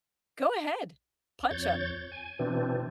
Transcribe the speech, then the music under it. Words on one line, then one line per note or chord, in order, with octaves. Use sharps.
go ahead, punch him,
F2 C#5 G6 A6
G#5
B2 E3 C4 D4